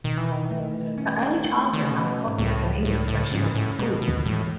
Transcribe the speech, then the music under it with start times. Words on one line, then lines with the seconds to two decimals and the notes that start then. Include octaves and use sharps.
Her early childhood found Pozniak in England where she went to school.
0.04 B2 D#3
0.17 E3
0.32 D#3
0.45 E3
0.51 A3
0.59 D#3
0.74 E3
0.87 D#3
0.98 E3 C#4
1.15 D#3
1.30 E3
1.43 D#3 A3
1.73 D#3
1.83 C#3
1.91 B2 C#4
2.27 G#2
2.38 C#2 A2
2.85 A2 C#3
3.08 A2
3.31 G#2 C#4
3.55 A2
3.79 B2 G#3
4.02 B2
4.25 A2 E3